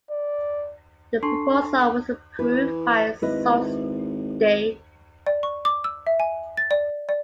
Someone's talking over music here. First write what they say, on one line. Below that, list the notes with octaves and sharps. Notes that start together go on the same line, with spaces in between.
The proposal was approved by Sault Ste.
D5
D4 A4 A5 C6 C#6 C7
E3 B4
G#1 E4 B4 D#5
D5
C#6
D6
E6
E5
G#5
A6
D5
D5